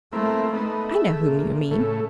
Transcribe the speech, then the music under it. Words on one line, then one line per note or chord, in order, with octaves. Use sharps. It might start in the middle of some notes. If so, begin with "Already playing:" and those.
I know whom you mean.
A3 A#3 C4 E4
A3 B3 D#4
G#4 E5
A#2
A2 C#3 A3 A4